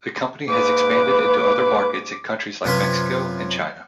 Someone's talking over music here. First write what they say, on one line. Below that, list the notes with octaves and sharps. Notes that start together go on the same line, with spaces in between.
The company has expanded into other markets in countries like Mexico and China.
G#2 A#3 B4 D6
F#2 C3 F4 B4 C#5 C6